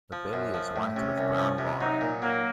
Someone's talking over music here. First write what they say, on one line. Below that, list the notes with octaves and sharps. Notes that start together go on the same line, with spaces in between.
The belly is white with brown barring.
F3
F#2
F3
A2
C3 C#4
C2
F3
C3
F#3 D#4
A#2
F#3 A#3